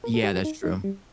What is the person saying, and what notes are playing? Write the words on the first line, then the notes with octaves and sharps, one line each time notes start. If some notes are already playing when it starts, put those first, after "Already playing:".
Yeah, that's true.
A#4
A4
G4
G4
D#4
D#4
G3